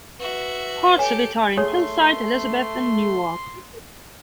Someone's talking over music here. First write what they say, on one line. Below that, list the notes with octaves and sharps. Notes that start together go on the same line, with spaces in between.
Parts of it are in Hillside, Elizabeth, and Newark.
F#4 B4 E5
G4 A4 C#5 G#5
A3 G#4 C#5 C6